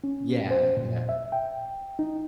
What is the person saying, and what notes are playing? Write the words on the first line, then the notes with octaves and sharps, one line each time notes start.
Yeah, yeah.
C#4
C5
A#2
E5
G5
D#4